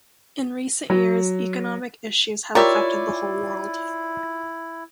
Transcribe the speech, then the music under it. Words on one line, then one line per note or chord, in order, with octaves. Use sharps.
In recent years, economic issues have affected the whole world.
F#3
E4 F4 G4 A#4 C#5 D5 E5